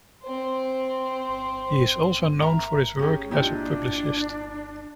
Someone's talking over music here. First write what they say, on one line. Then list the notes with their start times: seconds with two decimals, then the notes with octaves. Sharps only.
He is also known for his work as a publicist.
0.23 C4 C5
2.41 A#4 E5 A#5
2.99 C#4 G4 G#4
3.31 A#2 D4 E4 G4 D#5